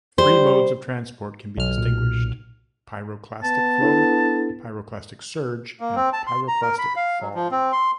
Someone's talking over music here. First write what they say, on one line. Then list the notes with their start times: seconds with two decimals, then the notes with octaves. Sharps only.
Three modes of transport can be distinguished: pyroclastic flow, pyroclastic surge, and pyroclastic fall.
0.18 G3 C5
1.57 B1 F6
1.78 A#2
3.44 B3 A5
3.81 D4 E4 A4
5.81 A#3
5.96 C4
6.13 A5
6.27 C6
6.48 A#5
6.62 A#4
6.79 B5
6.96 F5
7.20 F#3
7.34 F3
7.51 C4
7.72 C6